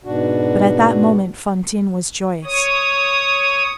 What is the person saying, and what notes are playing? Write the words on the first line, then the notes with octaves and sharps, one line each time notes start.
But at that moment Fantine was joyous.
G#2 B2 D4 F#4
C#5 D#6